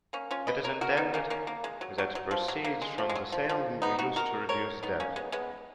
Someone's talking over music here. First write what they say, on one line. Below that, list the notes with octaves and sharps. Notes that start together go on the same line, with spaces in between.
It is intended that proceeds from the sale will be used to reduce debt.
A#3 C#4
C#4 F4
B4 D#5
A#4 C#5
F#4 A#4
B3 D#4
A#3 C#4
A#3 C#4
A#3
G#3
F#3
F#3
F#3
F3
F#3
A#3
G#3
F3
G#3
F#3
F3
F3
B3 D#4
D#4 F#4
F#4 A#4
A#4 C#5
B3 D#4
A#3 C#4
G#3 B3
G#3 B3